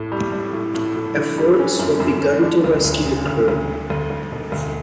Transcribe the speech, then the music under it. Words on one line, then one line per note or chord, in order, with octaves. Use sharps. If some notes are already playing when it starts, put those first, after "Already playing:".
Efforts were begun to rescue the crew.
Already playing: A2
G3
G3
A2
A2
A2
D3
G3
C#4
F#2
F#2
C#4
D4
D2
D2
C#3
D2
D2
A3
D2
D2
E1
D2